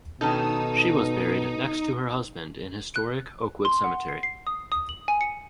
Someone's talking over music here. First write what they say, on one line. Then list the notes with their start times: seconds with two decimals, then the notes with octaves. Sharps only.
She was buried next to her husband in Historic Oakwood Cemetery.
0.21 B2 D#3 C#4 D#4 A4
2.96 F#6
3.65 C6
3.84 F#5
4.09 C7
4.23 C7
4.47 D#6
4.72 D#6
4.89 F#7
5.08 G#5
5.21 C#7